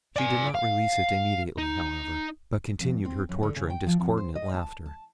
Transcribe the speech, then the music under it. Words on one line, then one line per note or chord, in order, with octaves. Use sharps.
She did not release it immediately however, but continued her torture and discordant laughter.
D5 G#5
F5
D#4
F2
C4
F#2
D3
C#3
G5
F3
F2
C5
D#5
A5
A5